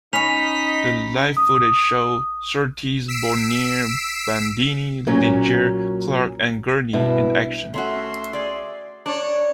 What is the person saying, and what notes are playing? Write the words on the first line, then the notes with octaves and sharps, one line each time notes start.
The live footage shows Surtees, Bonnier, Bandini, Ligier, Clark and Gurney in action.
C#4 D#4 D#5 B5 B6 F7
D#6
E6 B6 C7 D7 E7
A#2 F#3 C#4
G2 B2 E4
A3 C#4 F#4 E5 C6
G#4 D5
D4 C#5 D5